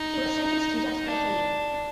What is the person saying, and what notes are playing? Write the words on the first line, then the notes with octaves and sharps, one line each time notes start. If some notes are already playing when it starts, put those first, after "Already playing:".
He was sentenced to death by hanging.
Already playing: D#4
D4